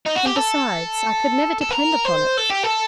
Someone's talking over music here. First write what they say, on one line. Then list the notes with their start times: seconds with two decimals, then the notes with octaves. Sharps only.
And besides, I could never depend upon it.'
0.06 D#4
0.15 F#4
0.25 G4
0.36 A4
1.61 A4
1.71 A#4
2.05 C5
2.38 A4
2.50 G4
2.63 A4